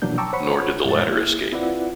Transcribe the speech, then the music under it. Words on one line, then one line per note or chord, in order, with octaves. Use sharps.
Nor did the latter escape.
B2 E3 F#3 A#3 D4 G6
G5 A5 A#5 C#6 D6 E6
C5 C#5 F#5 B5 C#6
F2 A2 G#3 C#5 A6
A#3 E4 G#4
C4 E4 F4 B4 D5 F#5